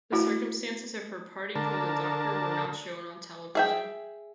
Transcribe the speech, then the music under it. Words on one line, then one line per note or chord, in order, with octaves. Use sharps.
The circumstances of her parting from the Doctor were not shown on television.
A3 E4 F#4
D3 A#4 A5
G#4 E5 G5